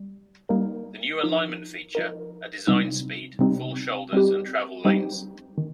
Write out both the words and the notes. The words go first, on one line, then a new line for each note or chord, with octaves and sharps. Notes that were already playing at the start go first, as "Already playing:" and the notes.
The new alignments feature a design speed, full shoulders, and travel lanes.
Already playing: G3
G3 A#3 D#4 A#4
F3 D#4 A#4
F3 D#4 A#4
C3 G3 C4 D#4
C3 G3 C4 D#4
G3 C4 D#4 G4
G3 C4 D#4 G4
D#3